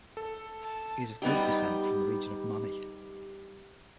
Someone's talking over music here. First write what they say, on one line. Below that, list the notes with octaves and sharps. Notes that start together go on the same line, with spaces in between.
He is of Greek descent from the region of Mani.
A4
A5
G3 B3 D#4 G4